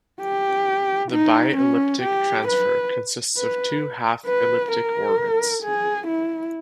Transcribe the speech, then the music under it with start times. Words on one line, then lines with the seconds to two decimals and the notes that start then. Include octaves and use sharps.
The bi-elliptic transfer consists of two half-elliptic orbits.
0.21 G4
1.12 D#4
1.56 C#4
2.02 G4
2.48 B4
3.37 B4
4.27 B4
4.72 A#4
5.63 G#4
6.07 E4